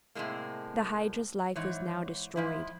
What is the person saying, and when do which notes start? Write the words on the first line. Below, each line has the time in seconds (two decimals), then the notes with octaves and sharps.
The Hydra's life was now destroyed.
0.15 A2 C3 G3 G#3 A#3
1.56 G#2 E3 C#5
2.36 G#2 F3 E4